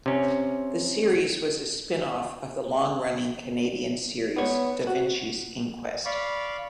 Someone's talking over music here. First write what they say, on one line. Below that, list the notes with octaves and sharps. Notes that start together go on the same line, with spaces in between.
The series was a spin-off of the long-running Canadian series "Da Vinci's Inquest".
C3 C#4
B3 C#5
F#4
D5 F5 B5 C#6